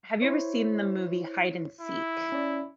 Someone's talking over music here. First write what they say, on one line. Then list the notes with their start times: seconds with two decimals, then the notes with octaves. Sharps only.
have you ever seen the movie Hide and Seek?
0.22 E4 C5 C#5
1.81 E4
2.32 C#4 D5